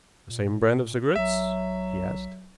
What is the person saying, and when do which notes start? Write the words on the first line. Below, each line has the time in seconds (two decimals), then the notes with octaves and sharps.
"The same brand of cigarettes?" he asked.
0.30 A#2
1.16 B1 F#3 E5